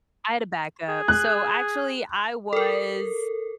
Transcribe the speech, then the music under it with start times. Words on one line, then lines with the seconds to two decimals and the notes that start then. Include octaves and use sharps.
I had a backup. So actually, I was
0.89 G#4
1.08 F#6
2.53 A4 A#4